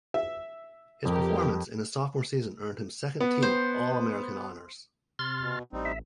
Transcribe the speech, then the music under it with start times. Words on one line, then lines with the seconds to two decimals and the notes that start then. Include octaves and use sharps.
His performance in his sophomore season earned him second-team All-American honors.
0.14 E5
1.05 F2 G4 A#4
3.20 B3
3.42 C5
5.19 C3 C6 F6 A6
5.41 B2
5.73 A1 G3 C4 D#4
5.85 E5